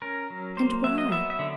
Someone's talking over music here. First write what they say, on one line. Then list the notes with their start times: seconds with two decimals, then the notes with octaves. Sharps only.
And why?
0.02 C#4 A#4
0.30 F#3
0.57 A#3 C5
0.84 F#3 E5
0.98 D#5
1.12 B3 E5
1.30 E5
1.39 D3